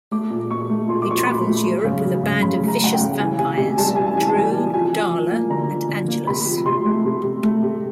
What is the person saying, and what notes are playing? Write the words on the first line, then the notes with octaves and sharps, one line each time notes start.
He travels Europe with a band of vicious vampires, Dru, Darla, and Angelus.
A3 D6
A#2
A#2 C#6
A3
A#2 C6
D6
F3 C#6
C6
A#2 B5
A3
F#3
C#3
F#3
C#3
C#3 B5
A3
A#5
A3 F#5
G5
C#3
E3 G#5
C3 G#5
C3 G#5
G3 A5
C3 G#5
A5
E3 G#5
A5
G3 G#5
E3
F3 G#5
F3
F3
A#3
D3 A#5
F3
D3
A#3
C3 B5
F3
C3 C6
A3
C3
C3
A3
C3